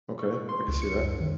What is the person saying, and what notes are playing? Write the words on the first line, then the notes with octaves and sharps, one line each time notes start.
Okay, I could see that.
C#6
C6
C#2
C#7
F#2
D#3